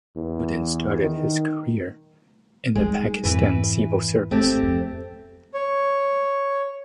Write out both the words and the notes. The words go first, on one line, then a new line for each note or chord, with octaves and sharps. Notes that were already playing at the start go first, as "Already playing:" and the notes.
Uddin started his career in the Pakistan Civil Service.
E2
D#3
G3 G#3 D#4
F2 G#2 E3 B4
G#1 A3 C4 G4
F2
C#5